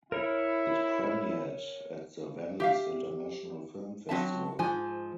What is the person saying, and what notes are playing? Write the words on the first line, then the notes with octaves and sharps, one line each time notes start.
It premiered at the Venice International Film Festival.
E4 A#4 C#5
G4 E5 F5
F#3 C4 E5 A5
G#2 F3 G#5